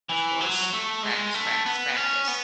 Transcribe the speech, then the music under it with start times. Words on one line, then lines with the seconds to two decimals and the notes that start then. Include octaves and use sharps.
of course, practice, practice, practice.
0.09 E3
0.41 F#3
0.73 A3
1.03 G#3
1.34 A3
1.66 B3
1.97 C#4
2.28 B3